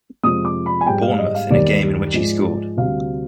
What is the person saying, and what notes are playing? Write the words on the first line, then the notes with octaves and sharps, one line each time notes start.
Bournemouth in a game in which he scored.
F2 C3 F3 G#3 D#6
D6
B5
G#5
G#2 G3 G5
F5
D#5
F5
D#2 D#3 G3 D5
G#2 F3 G#3
D2 C3 G3 F5